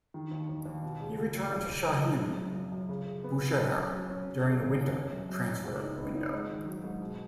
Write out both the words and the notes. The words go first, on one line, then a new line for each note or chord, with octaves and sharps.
He returned to Shahin Bushehr during the winter transfer window.
D#3
D#2
D#2
D#2
B2
C#2
C#2
C#2
C#2
B2
F#3
C#2
F#2
F#2
F#2
F#2
C#3
C#3
B3
F#4
F#3
C#4
F#3
C#4
F#3
C#3
D#2
D#2
C#4
F#2
F#2
F#2
C#2
D#4
B3
D#4
G#2
D#3
F#3
G#2
B2